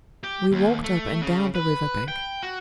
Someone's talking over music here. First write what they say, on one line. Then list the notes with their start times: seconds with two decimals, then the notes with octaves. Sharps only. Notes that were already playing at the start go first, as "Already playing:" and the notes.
We walked up and down the river-bank.
0.24 G4
0.52 D#2
0.84 A3
1.22 C#3
1.55 B4
2.08 G5
2.43 F#4